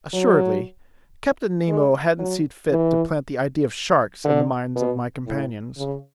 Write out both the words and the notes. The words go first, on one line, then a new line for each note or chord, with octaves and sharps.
Assuredly, Captain Nemo hadn't seen fit to plant the idea of sharks in the minds of my companions.
F#3
G#3
F#3
E3
D3
B2
A2
C#3